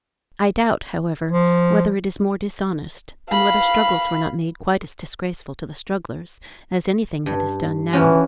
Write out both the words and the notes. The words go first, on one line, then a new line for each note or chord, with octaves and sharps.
I doubt, however, whether it is more dishonest, and whether struggles were not made quite as disgraceful to the strugglers as anything that is done now.
F3
F5 B5
G2
E3 F3 C#4 F#4